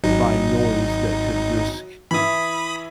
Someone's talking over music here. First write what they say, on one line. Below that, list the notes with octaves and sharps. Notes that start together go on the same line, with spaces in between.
by noise that could risk
G#1 F#3 D#4
E3 E4 B5 D#6